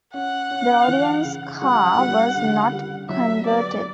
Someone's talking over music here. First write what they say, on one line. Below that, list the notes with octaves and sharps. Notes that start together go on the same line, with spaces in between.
The audience car was not converted.
C#4 F#5
C#4
E3
C#3
G3 F#5
G3
D3
G3
F#3 E5
B3 D5